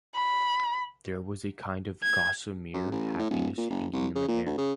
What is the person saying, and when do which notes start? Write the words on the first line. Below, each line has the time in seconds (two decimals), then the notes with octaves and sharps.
There was a kind of gossamer happiness hanging in the air.
0.15 B5
2.04 G#6
2.74 F#2
2.91 A1
3.19 A2
3.30 D1
3.57 A#2
3.70 F#1
3.93 C2
4.15 C#3
4.28 A#2
4.46 D2
4.58 C#3